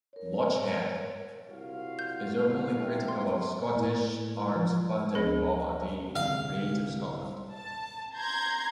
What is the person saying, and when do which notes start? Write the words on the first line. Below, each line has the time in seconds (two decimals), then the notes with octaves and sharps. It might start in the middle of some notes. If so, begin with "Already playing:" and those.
Lochhead is openly critical of Scottish arts funding body Creative Scotland.
0.13 A#4 C#5
1.49 C2 F4 F#4 F5
1.99 G6
2.43 D3
2.79 C3
3.08 C6
3.76 A2
4.55 F3
5.15 D2 D4 G#4 A#6
6.16 C2 G#2 D3 F5
7.52 A5
8.17 A#5 C6 G6 G#6 A#6